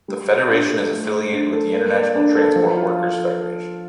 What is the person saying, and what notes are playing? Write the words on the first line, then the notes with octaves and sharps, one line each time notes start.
The federation is affiliated with the International Transport Workers Federation.
G3
C5
D4
A4
A3
C5
D4
A4
A#3
D5
D4
A4
F3
F4